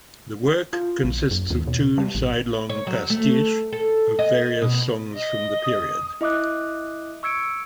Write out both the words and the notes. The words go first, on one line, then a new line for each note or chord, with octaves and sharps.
The work consists of two side-long pastiches of various songs from the period.
F4
A#1
F#2
D#2
B2
G3
A1
C#5
F#3
A3
A4
D#5
B2
D#5
D#6
E4 D#5 E5 D6 D#6 F#6
C#6 E6 G#6 C#7 D7